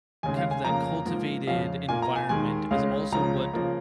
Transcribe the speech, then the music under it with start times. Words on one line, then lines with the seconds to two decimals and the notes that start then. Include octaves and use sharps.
kind of that cultivated environment is also what,
0.23 D#2 C#3 G#3 G#5
0.37 F5
0.51 G#5
0.64 F2 C#3 A#3 A#5
1.06 G#2 F3 A#3
1.47 F2 C#3 F3 F5
1.88 A#2 A#3 G#5
2.02 A#5
2.16 G#5
2.29 D#2 D#3 G#3 G#5
2.71 C#2 C#3 G#3 F5
3.12 C#2 C#3 F3 A#5
3.53 C#3 F3 A#3